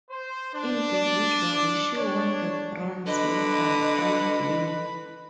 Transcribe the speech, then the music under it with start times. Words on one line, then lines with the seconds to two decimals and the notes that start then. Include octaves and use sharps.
Individually, she won the bronze medal on beam.
0.10 C5
0.53 D4
0.94 D5
1.96 D4 C#5
3.07 D3 B4 D#5